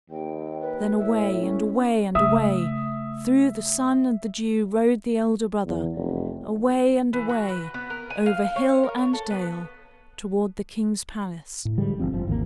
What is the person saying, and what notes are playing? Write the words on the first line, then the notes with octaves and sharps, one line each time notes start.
Then away, and away, and away, through the sun and the dew rode the elder brother--away and away over hill and dale toward the king's palace.
D#2 G5
B4
A2 E5
C#4
C#3 A3 E5 D#6
E2
F1
E3
F#4
B4
B3
A#4
G#5
F5
C#5
A#4
C#5
A4
B3
A2
D3 F3 G3 G#3
G1 F2 F3 C4
G1 F3
G#1 D#2 D3 A#3